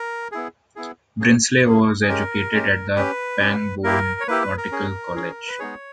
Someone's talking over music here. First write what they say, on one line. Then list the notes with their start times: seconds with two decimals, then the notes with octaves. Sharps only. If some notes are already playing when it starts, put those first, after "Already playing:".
Brinsley was educated at the Pangbourne Nautical College.
Already playing: A#4
0.32 B3 E4 G#4
0.76 B3 E4 G#4
1.20 A#3 C#4 G#4
1.65 A#3 C#4 G#4
2.02 G#4
2.08 G#3 C#4 G4 A#4
2.52 G#3 C#4 G4
2.96 C#4 G4 B4
3.40 C#4 G4
3.84 A#3 E4 G4 A#4
4.20 C#5
4.28 A#3 E4 G4 B4
4.43 B4
4.58 A#4
4.72 C#4 G#4
5.16 C#4 G#4
5.48 B4
5.59 G#3 B3 D#4 G#4 C#5